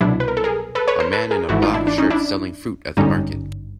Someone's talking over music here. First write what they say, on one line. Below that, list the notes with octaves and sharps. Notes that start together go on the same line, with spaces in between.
A man in a black shirt selling fruit at the market.
C2 B2 F#3 D4 E4
B4
A#4
A4
G#4 A#4
A4 B4
B4 C#5
A#4 C5
A4 B4
G#4 A#4
G#1 G#2 E3 A3 E4 F#4
D#4 F4
D4 E4
D4
C#4 D#4
D4 E4
G#1 G2 D3 G3 C#4 D#4